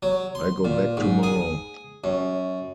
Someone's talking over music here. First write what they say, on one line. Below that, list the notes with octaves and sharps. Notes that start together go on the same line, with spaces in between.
I go back tomorrow.
F#3
C6
A#2
G#2
G#4
F#2